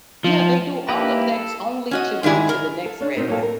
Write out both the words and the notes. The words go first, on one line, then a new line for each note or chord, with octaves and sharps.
Yeah, they do all of that only to go to the next red light,
F3
A#3 D#4 E4 G4 B4
A4
C#4 F#4 D#5
G#2 D#3 G#3 E4 G#4
A#4
A4
C#4 D4
B2 C4 D#4 A#4
F#3 A#3 A4
A#4